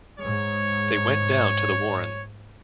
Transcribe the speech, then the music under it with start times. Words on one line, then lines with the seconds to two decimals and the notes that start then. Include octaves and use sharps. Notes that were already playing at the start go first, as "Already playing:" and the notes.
They went down to the warren.
0.19 G#2 C#5